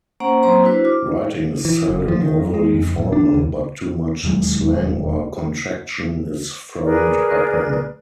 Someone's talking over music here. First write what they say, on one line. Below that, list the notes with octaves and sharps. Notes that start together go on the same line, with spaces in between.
Writing is seldom overly formal, but too much slang or contraction is frowned upon.
A#3 C#4 C5 F#5 A#5
F#3 A#3 C4 C5 A#5 C6
D4 E4 F#4 B4 C5
F4 D6
E3
F#1
F3
D#3
F#2
G#3
F2
D1
D4
D#2
E1 D#2 F#3 G#3
G#4 A#4 B4 D5